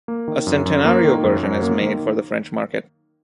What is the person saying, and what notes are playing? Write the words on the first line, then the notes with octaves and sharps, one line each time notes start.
A centenario version is made for the French market.
A#3
D#3
F#2
F#2
A#3
D#3
F#2
F#2
A#3
D#3